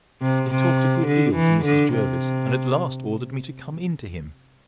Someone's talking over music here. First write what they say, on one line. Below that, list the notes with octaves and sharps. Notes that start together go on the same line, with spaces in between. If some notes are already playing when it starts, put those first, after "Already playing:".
He talked a good deal to Mrs. Jervis, and at last ordered me to come in to him.
C3
C3
D3
E3
D3
C3